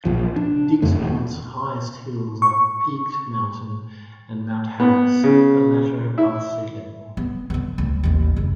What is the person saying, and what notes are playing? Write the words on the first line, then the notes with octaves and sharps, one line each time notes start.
Dixmont's highest hills are Peaked Mountain and Mount Harris, the latter above sea level.
A#1 F3
D4
F#1 F2 D3 A3
D#1
C#6
B3
C#3
E4
B3
D3 B3
D2
A1 D#2
F#1